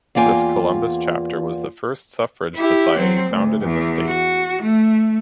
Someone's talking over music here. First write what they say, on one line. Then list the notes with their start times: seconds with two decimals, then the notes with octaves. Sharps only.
This Columbus chapter was the first suffrage society founded in the state.
0.15 E2 A#3 F4 G5 G#5
2.55 E4 G4
2.98 F#3 C4
3.30 D2
3.62 E2
4.07 F#4
4.62 A3